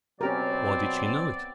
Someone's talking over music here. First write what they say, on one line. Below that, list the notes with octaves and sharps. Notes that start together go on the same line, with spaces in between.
Why did she know it?
B2 F#3 C4 C#4 G4 A#4 D5